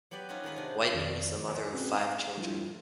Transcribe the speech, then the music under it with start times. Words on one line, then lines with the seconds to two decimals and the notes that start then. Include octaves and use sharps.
Wightman was the mother of five children.
0.11 F#3 B3 G4 B4 D5
0.29 C#4 D#4 F4 F#4 B4 D#5
0.44 D#3 G#3 D#4 B4
0.56 C3 D4
0.94 F2 D#3 D5
1.48 B4 D5 G#5 A#5
1.72 C4 C#4 F#4 G#4 B4
1.98 F5
2.37 F3 G3 A3 D4 E4 F4